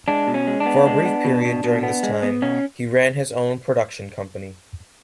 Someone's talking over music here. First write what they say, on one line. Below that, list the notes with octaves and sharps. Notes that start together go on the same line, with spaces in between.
For a brief period during this time, he ran his own production company.
G#3 D4
B2
C#4
G#3
D4
B3
G#3
B3
B2
B2
B2
B3
G#3
B3
B2 C#4